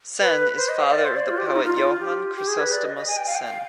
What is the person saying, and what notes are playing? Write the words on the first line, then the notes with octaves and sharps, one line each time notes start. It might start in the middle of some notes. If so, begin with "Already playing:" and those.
Senn is father of the poet Johann Chrysostomus Senn.
B4
C5
D#5
F5
D5
C5
D5
F4
G4
F4
D#4
F4
G4
G4
G#4
B4
D5
D#5
D#5
G#5
G5
F5
G5
F5